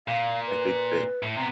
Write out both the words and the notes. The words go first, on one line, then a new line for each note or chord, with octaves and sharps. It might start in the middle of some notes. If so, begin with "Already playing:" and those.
I think that
A#2 F5
B4
A2
C3 B3 A#5